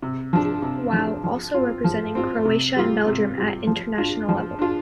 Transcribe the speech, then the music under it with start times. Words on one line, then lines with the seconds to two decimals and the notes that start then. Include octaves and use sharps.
While also representing Croatia and Belgium at international level.
0.02 C3
0.33 F3 D4
0.62 C3
0.93 F3 D4
1.24 F3
1.54 C4 F4
1.84 F3
2.15 C4 F4
2.45 C3
2.76 G3 F4
3.07 C3
3.38 G3 F4
3.67 F3
3.98 D4 F4
4.29 F3
4.59 D4 F4